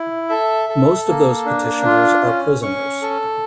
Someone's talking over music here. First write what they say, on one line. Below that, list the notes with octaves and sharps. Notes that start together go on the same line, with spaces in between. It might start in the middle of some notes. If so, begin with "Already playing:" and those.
Most of those petitioners are prisoners.
Already playing: E4
A4 E5
A4
A#3
D4
F4
C#4
C#4 C#6
A4